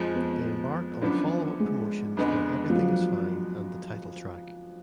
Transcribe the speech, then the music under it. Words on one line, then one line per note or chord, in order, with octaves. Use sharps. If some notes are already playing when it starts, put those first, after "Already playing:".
They embarked on followup promotions for "Everything Is Fine" and the title track.
Already playing: F2 F3 G#3
B3
F#2 D3 F3 B3 D4
G#3
F2 D3 G#3 B3 D4
F3
F#3